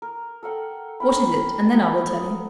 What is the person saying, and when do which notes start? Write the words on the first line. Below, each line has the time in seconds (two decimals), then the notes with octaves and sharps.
"What is it, and then I will tell you?"
0.02 A#4
0.43 A4 A#4 F#5 G5
1.00 A4 A#4 G5 B5
1.74 F#3 B3 F#4
2.10 D#6